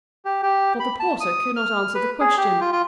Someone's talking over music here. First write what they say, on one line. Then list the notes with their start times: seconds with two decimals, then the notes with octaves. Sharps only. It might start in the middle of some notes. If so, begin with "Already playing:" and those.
But the porter could not answer the question.
0.25 G4
0.43 G4
0.80 B5
1.00 A5
1.20 D#6
1.56 F6
1.95 B4
2.20 G#4
2.37 G4
2.61 F4
2.72 F4